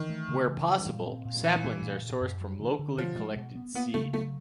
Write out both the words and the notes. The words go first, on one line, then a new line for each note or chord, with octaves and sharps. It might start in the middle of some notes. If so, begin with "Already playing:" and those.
Where possible, saplings are sourced from locally collected seed.
Already playing: D#3 E3
A3
C#3
E3
G3
A#2
C4
A#2
A#2 E3
A3
A#2
A#2
F#2
F#3
D3
D3
B2 F3
G#3
B2
B3
A#3 B3
C#3 A3
F#3 A3